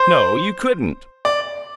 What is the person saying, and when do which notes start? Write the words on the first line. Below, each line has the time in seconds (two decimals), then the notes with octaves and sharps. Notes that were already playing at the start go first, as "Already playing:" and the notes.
"No, you couldn't."
Already playing: C5
1.25 D5